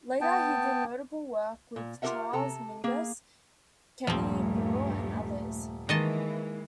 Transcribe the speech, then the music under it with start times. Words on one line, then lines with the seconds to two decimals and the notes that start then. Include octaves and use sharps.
Later he did notable work with Charles Mingus, Kenny Burrell, and others.
0.21 B3 G5 A5
1.76 A#2
2.02 F4 G4 A4 A#4 E5 F#5
2.33 C3 A4 A#5
2.84 A#3 G#4
4.07 D#1 G2 F3 A3 C4
5.89 D#3 E3 G#3 A#3 D#5 A5